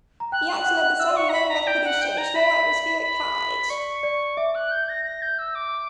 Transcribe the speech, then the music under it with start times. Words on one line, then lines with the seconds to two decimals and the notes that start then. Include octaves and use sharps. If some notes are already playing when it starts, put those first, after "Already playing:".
The action of the sun and moon must produce certain small atmospheric tides.
0.20 A#5
0.32 G5 F#6
0.49 G5
0.66 F#5
0.82 F#5
0.99 E5 E6
1.10 D5
1.16 E5 C#6
1.29 A#5
1.33 B5
1.50 A#5
1.67 D5 G5
1.84 F#5
2.02 G5
2.18 A#5
2.35 E5 B5
3.02 B5
3.70 D5 C#6
4.03 D5
4.37 E5 D6
4.55 F#6
4.71 G6
4.89 A#6
5.05 A#6
5.22 G6
5.39 E6
5.55 D6